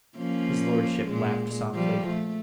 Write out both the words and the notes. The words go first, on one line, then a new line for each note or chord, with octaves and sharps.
His lordship laughed softly.
F3 A#3 C#4
A#2 G#3
F3 G3
A3